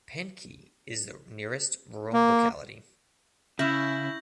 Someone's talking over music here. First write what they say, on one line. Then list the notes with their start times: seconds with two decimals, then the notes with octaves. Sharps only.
Panki is the nearest rural locality.
2.13 A#3
3.59 C#3 C#4 E4 E5 G6 A#6 F#7